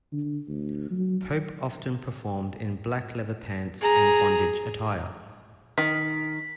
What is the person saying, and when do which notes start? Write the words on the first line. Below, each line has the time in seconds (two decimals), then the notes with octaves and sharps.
Pope often performed in black leather pants and bondage attire.
0.12 D3
0.48 D2
0.91 F#3
3.82 G#4 A#5
5.78 D#3 B6